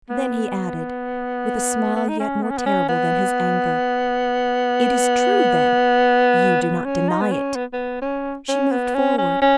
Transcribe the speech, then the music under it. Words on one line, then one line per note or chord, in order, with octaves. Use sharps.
Then he added, with a smile yet more terrible than his anger, "It is true, then; you do not deny it!" She moved forward.
B3
B3
D#4
C#4
B3
C#4
B3
C#4
B3
B3
C#4
D#4
B3
C#4
B3
B3
C#4
C#4
B3
C#4
C#4
C#4